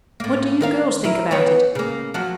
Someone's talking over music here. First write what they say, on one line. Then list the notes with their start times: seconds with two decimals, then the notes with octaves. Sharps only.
"What do you girls think about it?"
0.20 A2 A#3
0.61 D#3 A#4 F5
1.04 E4 A#4
1.31 E3 B3 C#5
1.75 C#3 A#3
2.14 F3 F#3 F#4